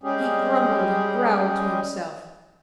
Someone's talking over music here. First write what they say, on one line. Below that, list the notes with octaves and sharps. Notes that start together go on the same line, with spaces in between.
He grumbled and growled to himself.
G3 G#3 C#4 G4 G#4